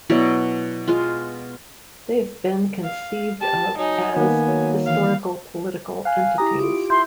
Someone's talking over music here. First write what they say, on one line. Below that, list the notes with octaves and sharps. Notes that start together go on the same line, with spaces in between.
They have been conceived of as "historical-political entities".
B2 F#3 E4 D5
G#3 F4
F5
G4 A5
F#3 D#4 G#5
D#3 A#3 B3
F#3
E3 F5
F5 G#5 F#6
E4 G4 A#5 D#6
F4 G4 D7
E4 C6 G6